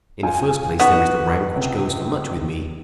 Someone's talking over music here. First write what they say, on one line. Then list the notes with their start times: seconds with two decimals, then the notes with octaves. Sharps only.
In the first place there is the rank which goes for much with me.
0.23 F4 G5 G#5
0.80 B3 D#4 F#4
1.56 C#2 C3